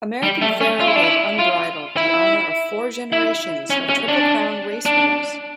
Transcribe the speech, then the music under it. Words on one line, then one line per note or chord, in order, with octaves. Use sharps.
American Pharoah gave Unbridled the honour of four generations of Triple Crown race winners.
G3
A3
C#4
F4
E4
D4
E4
F4
E4
E4
C#4
C#4
D4
D4